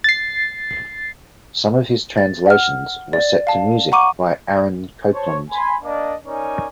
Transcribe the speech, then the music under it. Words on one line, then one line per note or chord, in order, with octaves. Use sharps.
Some of his translations were set to music by Aaron Copland.
A6 C7
A6
F#5 F6
D5
F5 A5
F#5 A#5 C#6 D6 D#7
C5 C#5 A5
G#5 B5 C6
A#3 D4 A#4 D5 D#5
C#4 D#4 A#4 C#5 D5 G#5